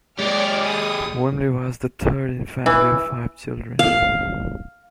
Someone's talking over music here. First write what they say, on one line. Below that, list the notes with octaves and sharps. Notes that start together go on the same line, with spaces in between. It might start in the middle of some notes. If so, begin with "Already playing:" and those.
Willem was the third in a family of five children.
G#3 G4 C#5 D5 F6
G#4 D#6
E3
F5